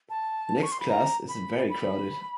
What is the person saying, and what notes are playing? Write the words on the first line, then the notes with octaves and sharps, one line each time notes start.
The next class is very crowded.
A5
C#6
C6
B5
A#5
B5
B5